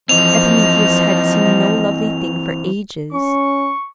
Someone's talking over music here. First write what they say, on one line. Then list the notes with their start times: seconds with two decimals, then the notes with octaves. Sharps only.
Epimetheus had seen no lovely thing for ages.
0.09 E3 F3 C4 D#5 F7
3.13 C#4 C#6